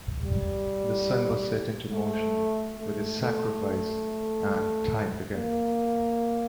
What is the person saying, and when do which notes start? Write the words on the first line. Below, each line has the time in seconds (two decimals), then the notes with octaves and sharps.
The sun was set into motion with his sacrifice and time began.
0.23 G3
1.93 A3
2.79 A3
3.22 A3
5.35 A#3